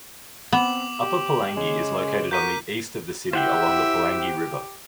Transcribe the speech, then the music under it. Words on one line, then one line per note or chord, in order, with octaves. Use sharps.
Upper Pulangi is located on the east of the city along the Pulangi River.
B3 C4 D6 E7 F#7
G4
C#3 G#3
F#4 A#4 G6 B6 D#7
E4 G4 C5 E5 F#5 G5